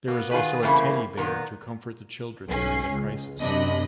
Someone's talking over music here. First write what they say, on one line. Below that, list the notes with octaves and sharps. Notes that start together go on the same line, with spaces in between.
There is also a teddy bear to comfort the children during a crisis.
A#3 B3
D#3 F4 F#4 G#4 B4
G2 C#3 E3 A3 A#3 C4
A#2 D#3 B3 A#4
B1 C#4 C7
C#2
F#2 C3 D4 D#5 B5